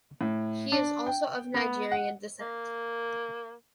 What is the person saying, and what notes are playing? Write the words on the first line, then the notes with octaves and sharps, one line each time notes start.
He is also of Nigerian descent.
A2
D4
G5
B3
F#5
A#3